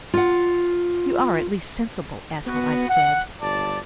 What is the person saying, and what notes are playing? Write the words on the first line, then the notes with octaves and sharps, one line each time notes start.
"You are at least sensible, Ethel," I said.
F4 F#5
B3 F#4
F#5
G1 D5 A5